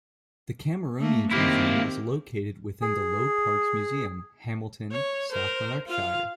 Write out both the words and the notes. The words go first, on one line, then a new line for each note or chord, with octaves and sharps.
The Cameronians Museum is located within the Low Parks Museum, Hamilton, South Lanarkshire.
A3 A#3
D#3 A#3 C4 E4 G4
G#4
C#5
A#4 C5
F4 F5